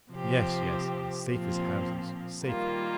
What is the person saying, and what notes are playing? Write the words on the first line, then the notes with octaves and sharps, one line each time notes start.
"Yes, yes, yes; safe as houses--safer."
C3 F3 C4 G4
A#2 F3 C4
D#3 G3 A#3 F4